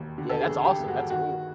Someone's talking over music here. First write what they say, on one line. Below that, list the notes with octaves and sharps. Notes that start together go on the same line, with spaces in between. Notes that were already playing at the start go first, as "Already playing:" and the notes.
Yeah, that's awesome. That's cool.
Already playing: E1 D#2
D3
A4
G#4
A1
G4
G2
F#4
D#3 F#4